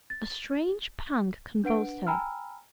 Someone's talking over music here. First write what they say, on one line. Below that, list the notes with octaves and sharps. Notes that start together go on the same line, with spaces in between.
A strange pang convulsed her.
A6
D4 B4 F#5 D7
G5 G#5 A#5 B5 E6 F6